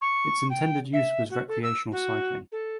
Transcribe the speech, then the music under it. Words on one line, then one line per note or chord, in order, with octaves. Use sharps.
Its intended use was recreational cycling.
C#6
G5
E5
F#4
A4
E6
F#4
A4